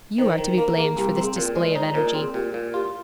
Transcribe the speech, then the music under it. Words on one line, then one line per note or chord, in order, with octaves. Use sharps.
You are to be blamed for this display of energy.'
D#3 C5
D#3
A#3 A#4
A#3 G#4
C2 G4
C4 G#4
A#2 A#4
G#3 C5
D5
D#4 C5
A#2 A#4
C4 G#4
A#2 G4
A#2
F4 G4